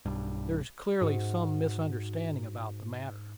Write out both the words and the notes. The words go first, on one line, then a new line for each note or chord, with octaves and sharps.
"There is clearly some misunderstanding about the matter."
B1 G2
G#2 F#4 F6